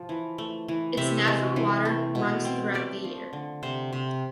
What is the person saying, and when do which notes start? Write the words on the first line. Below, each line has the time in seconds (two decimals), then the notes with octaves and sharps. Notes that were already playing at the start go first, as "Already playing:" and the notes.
Its natural water runs throughout the year.
Already playing: F3
0.09 E3
0.38 A3
0.68 E3
0.97 C3 E5
1.27 G#3
1.56 E3
1.85 A3
2.15 B2
2.45 C4
2.74 A3 D5
3.04 F3
3.33 D3
3.63 C3 C5
3.93 C3